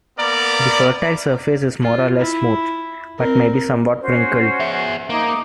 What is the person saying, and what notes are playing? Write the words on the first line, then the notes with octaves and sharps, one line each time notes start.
The fertile surface is more or less smooth but may be somewhat wrinkled.
A#3 B3 A#4 D5
F4
E4
C4 A#4
C#4 F#4 C5
G#4 E5
A#3 D#4 D6